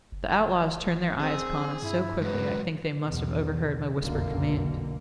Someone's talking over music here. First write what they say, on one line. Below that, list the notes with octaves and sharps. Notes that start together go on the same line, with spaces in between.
The outlaws turned their eyes upon us so quickly I think they must have overheard my whispered command.
F#1
C4 G#4
G2 E4
G#2 F#3 B4
B1 E2 B2
F1 B1 F#2 B2 D3 A#3